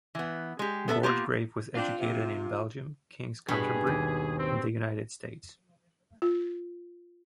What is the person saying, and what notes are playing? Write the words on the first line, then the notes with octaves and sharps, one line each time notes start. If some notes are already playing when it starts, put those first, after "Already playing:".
Borchgrave was educated in Belgium, King's Canterbury, and the United States.
E3 B3
G#3 G4
B3 A4 A#4 E5
A#3 B3 F4 G4
C4 D4 F4
C3
G2 B2 G#4 B5
D#2
C4
F4